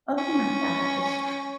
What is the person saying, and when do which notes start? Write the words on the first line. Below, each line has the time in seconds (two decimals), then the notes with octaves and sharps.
Oh my gosh.
0.18 C#4